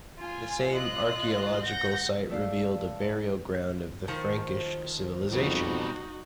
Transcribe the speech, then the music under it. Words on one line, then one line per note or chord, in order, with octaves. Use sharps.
The same archaeological site revealed a burial-ground of the Frankish civilisation.
F4 G#5
F4 D#5 F#6
F#5 G6 A#6
A3 D5 F5
D#3 F3 C5
F2 B2 G3 D#4 F#4